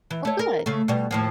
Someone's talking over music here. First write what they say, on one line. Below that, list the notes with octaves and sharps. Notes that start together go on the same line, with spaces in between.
Oh, good.
E3
A3 C#5
A#4
C#3 A3
B2 G3
D#2 A2 F3